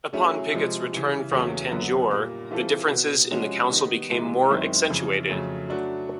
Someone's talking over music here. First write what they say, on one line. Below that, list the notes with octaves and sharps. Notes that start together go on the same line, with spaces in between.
Upon Pigot's return from Tanjore the differences in the council became more accentuated.
F#3 A3 C#4 E4 G#4
C3 F3 G#3
C#3 E3 G3
E2 C#3 F#3 A3
F#2 D3 F#3 B3
A#2 G3 A#3
E3 G3 C4 F4 A4
B2 F#3 B3
C3 F3 G#3 C#4 F#4
D#3 G3 B3 D#4
C3 E3 G#3
F#2 D#3 G#3 C4 E4
F2 C#3 E3
F2 C#3 F#3 A3
F#3 A3 D4 F#4